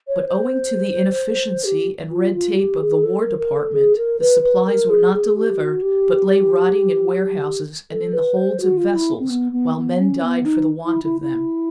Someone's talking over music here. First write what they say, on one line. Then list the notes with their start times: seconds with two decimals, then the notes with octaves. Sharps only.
But owing to the inefficiency and red tape of the War Department, the supplies were not delivered, but lay rotting in warehouses and in the holds of vessels while men died for the want of them.
0.08 C#5
0.26 C5
1.64 G4
2.11 F4
2.34 F4
2.57 G4
2.81 G#4
3.03 A4
3.21 A#4
3.39 A#4
3.56 A4
3.74 G#4
3.97 A#4
4.20 B4
4.42 B4
4.66 A#4
4.90 G#4
5.13 G#4
5.36 G4
5.59 F#4
5.82 G4
7.91 A4
8.13 B4
8.36 C5
8.61 F#4
8.77 F4
8.95 E4
9.20 C4
9.30 B3
9.52 B3
9.76 B3
10.00 C#4
10.23 B3
10.45 D#4
10.85 E4
11.04 E4
11.21 E4